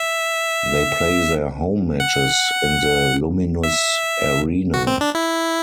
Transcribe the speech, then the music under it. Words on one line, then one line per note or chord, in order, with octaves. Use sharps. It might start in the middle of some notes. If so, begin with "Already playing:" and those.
They play their home matches in the Luminus Arena.
Already playing: E5
F#5
E5
F#4
C4
D4
E4